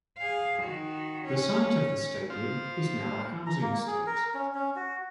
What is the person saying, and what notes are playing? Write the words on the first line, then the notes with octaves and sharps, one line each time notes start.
The site of the stadium is now a housing estate.
G#4 F5
D#3 F#4
C#4
C5 F5
A#5
A#3
G#4
A#4
C#4
C#4
F#4